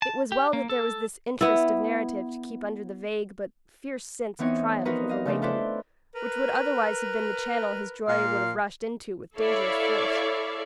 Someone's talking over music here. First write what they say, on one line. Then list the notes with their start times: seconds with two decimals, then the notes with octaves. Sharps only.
It was well that there was this interest of narrative to keep under the vague but fierce sense of triumph over Wakem, which would otherwise have been the channel his joy would have rushed into with dangerous force.
0.02 A5
0.32 G4
0.53 A#3
0.70 A4
1.41 B3 E4
4.39 E3 B3 C4 D#4 C#5
4.85 F3 D#4 F#4 A#4 B4 D#5
5.09 D#5 F5
5.26 C#3 F3 A3 D4 F4
5.42 E4 F4 A4 B4 C5 D5
6.16 A#4 B4
8.08 A#2 F5
9.36 E4 A4 C#5 D5 E5 F5